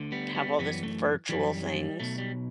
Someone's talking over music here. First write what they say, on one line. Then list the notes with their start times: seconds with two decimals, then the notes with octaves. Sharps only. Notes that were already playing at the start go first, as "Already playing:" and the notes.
have all this virtual things.
Already playing: D2 D3
0.12 G3 B3
0.35 G3 B3
0.58 F#2 E3 G3 B3
0.83 A3
1.29 F#2 E3 G3
2.00 B1 B2 A3
2.18 G3